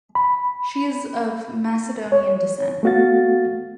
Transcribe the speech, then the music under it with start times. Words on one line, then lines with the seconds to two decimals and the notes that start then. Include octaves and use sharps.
She is of Macedonian descent.
0.15 B5
2.12 C#5
2.83 A3 B3 F#4 F5 A6